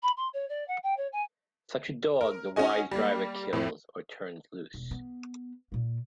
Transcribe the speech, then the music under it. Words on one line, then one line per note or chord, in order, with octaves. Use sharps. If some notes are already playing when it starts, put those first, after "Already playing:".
Such a dog the wise driver kills, or turns loose.
B5
C6
C#5
D5
F#5
G5
C#5
G#5
A#4
C#4 D#4 F#4 D#5 G#5
G3 A#3
F2 A2 E4
E1
B3
A#2 A#3